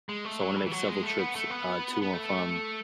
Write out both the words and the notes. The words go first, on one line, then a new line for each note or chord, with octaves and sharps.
So, I wanna make several trips, uh, to and from,
G#3
A3
F#3
E3
E3
F#3
G#3
A3
B3
A3
B3
B3
A3